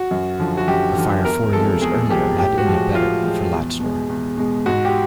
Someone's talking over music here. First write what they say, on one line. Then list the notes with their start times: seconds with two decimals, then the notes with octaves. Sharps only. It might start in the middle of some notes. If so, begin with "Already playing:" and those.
A fire four years earlier had ended better for Lattner.
Already playing: F#4
0.11 F#2
0.39 D3 F3
0.57 F#4
0.68 F#2 G4
0.96 D3 F3
1.24 E2 A#4
1.53 C3 F3 G#3 A4
1.82 E2 G#4
2.10 C3 F3 G#3 G4
2.39 A2 G4
2.58 F#4
2.67 F3 G#3
2.76 F#4
2.95 A2 F4
3.24 F3 G#3
3.53 E2
3.80 B2 G#3
4.09 E2
4.37 B2 G#3
4.66 G#2 F#4
4.85 G4